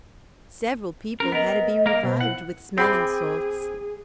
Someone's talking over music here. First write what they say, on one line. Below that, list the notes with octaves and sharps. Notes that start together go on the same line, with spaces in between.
Several people had to be revived with smelling salts.
C#4 A#4
B3 A#4 D#5
A#3 A#4
B2 C5
E4 F#5
C4 G#4 G5 B5 D6